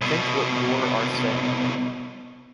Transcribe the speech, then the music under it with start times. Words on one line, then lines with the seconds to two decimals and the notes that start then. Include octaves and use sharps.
Think what your are saying.
0.01 C2 B2